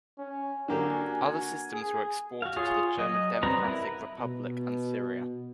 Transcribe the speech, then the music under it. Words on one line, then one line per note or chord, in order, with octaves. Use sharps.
Other systems were exported to the German Democratic Republic and Syria.
C#4
D3 A#3 F#4 G4 G#5
G#4
F#4 F5
F4 G#4 C#5
F#3 D#5
G3 B3 C4 B4 A#5
E4 A#4 B4
B2